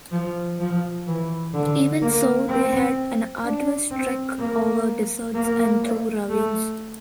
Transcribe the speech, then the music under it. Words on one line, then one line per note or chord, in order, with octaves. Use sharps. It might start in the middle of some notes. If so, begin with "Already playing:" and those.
Even so, they had an arduous trek over deserts and through ravines.
F3
F3
E3
D3
A#3
C4
D4
C4
A#3
A#3
A3